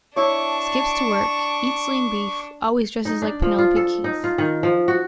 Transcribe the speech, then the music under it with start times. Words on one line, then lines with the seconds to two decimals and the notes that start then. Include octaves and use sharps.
Skips to work, eats lean beef, always dresses like Penelope Keith.
0.16 D4 E4 C#5 A5 C#6 D6
3.05 D#4
3.22 D4
3.42 F3
3.58 F4
3.76 A4
4.04 D#4
4.24 F4
4.38 D#3
4.63 F3
4.88 F#4